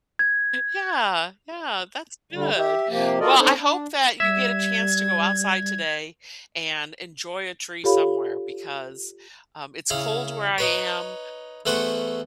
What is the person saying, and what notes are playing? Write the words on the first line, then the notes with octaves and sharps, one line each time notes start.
Yeah, yeah, that's good. Well, I hope that you get a chance to go outside today and enjoy a tree somewhere because, um, it's cold where I am,
G#6
D3 G3
G4 E5
C3 F3 A#3 G4
F4 F#4 A4 A#4 D5 D#5
C4 D4 D#4 A4 C5 C#5
D4
G3 E5 G#6
F4 G4 A4 C#5 F5 B5
C#3 E4 F5
D#4 B4 C#5
E2 A3 B4 C5 F#5 C#6